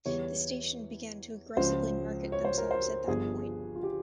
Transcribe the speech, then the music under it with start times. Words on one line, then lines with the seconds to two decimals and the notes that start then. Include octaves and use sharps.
The station began to aggressively market themselves at that point.
0.05 E2 E3 G3 C#5
1.57 C#2 C#3 F3 C5
2.32 C#5
2.45 C5
2.58 A#4
2.71 C5
3.08 G1 G2 F3 G#4
3.76 F4
3.83 G4